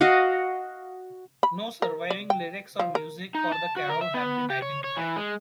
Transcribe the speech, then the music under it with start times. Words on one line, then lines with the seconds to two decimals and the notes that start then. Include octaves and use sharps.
No surviving lyrics or music for the carol have been identified.
0.01 F#4 D#5 F5 F#5
1.43 B5
1.82 A#4
2.11 D5
2.30 G5
2.79 F3
2.95 A#4
3.35 D#4
3.52 A5
3.76 F#4
3.89 A#4
4.01 E5
4.14 B3
4.50 G4
4.62 C#5
4.84 C#5
4.97 E3
5.16 G#3